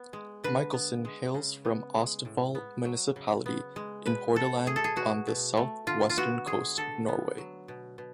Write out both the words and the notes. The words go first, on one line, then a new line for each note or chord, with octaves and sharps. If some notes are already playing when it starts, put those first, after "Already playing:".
Michelsen hails from Austevoll municipality in Hordaland on the south-western coast of Norway.
Already playing: B3
G#3
D3 B4
B3
G#3
C#3
B3
G#3
A2
B3
F#3
C#3
B3
G#3
B2 B4
B2 A4
A3 G#4
A4
G#4
B2 F#4
B2
A3
D3 F4
F4
B3 F#4
G#3 G#4
D3 A4
B3
F#3
B2
B2